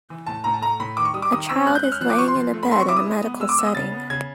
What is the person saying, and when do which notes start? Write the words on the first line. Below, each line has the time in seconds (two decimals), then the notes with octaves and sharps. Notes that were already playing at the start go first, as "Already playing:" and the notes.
A child is laying in a bed in a medical setting.
0.10 E3
0.26 A2 A5
0.44 A2 A#5
0.54 A5
0.61 A3 A#5
0.80 A2 B5
0.97 D#3 D6
1.05 C#6
1.14 G3 D#6
1.22 D6
1.32 D#3 D#6
1.49 C4 E6
1.66 G#3 F#6
1.75 G6
1.83 C#4 F#6
1.92 F6
2.01 F3 F#6
2.10 D6
2.18 F3 C#6
2.28 C6
2.35 F3
2.53 A3
2.63 B5
2.70 C4 C6
2.80 C#6
2.88 E4 D6
2.97 D#6
3.06 G#3
3.22 B3
3.40 G#3 E6
3.49 D6
3.58 B3 E6
3.66 D#6
3.75 C#3 A6
3.92 B3
4.10 C#3 G#6